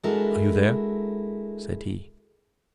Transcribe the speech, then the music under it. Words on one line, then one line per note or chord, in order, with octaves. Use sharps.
"Are you there?" said he.
G#3 D4 E4 F#4 A4 A#4